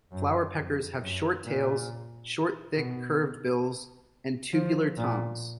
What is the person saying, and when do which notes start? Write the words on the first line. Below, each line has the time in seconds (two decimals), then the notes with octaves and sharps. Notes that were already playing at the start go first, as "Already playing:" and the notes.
Flowerpeckers have short tails, short thick curved bills and tubular tongues.
0.12 F#2
0.56 F2
1.01 F#2
1.45 A#2
2.77 B2
4.53 F3
4.97 A#2